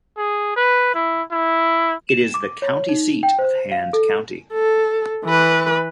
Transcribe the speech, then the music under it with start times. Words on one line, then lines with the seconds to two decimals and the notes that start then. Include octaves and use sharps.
It is the county seat of Hand County.
0.17 G#4
0.56 B4
0.94 E4
1.31 E4
2.09 E7
2.34 D6
2.62 C#5
2.89 D#4
3.23 G5
3.39 C5
3.72 F5
3.93 A4
4.53 A4
5.25 E3 B4